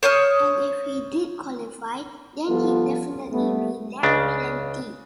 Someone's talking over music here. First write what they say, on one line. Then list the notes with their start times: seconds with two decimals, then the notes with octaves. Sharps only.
And if he did qualify, then he'd definitely be lapped plenty.
0.03 C5 C#5 D#6 F6
2.48 F3 G3 B3 F4 A4
3.32 G3 A3 B3
4.03 C#2 C#3 D4